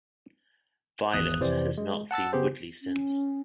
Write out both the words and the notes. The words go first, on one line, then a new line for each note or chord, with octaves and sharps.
Violet has not seen Woodley since.
G#1 E2 D#6 F#6
F2 C3 E3 C5 D5
G#3
F#5 A5 E6 A6
C#3 B3 G4 G#4 C5
C#4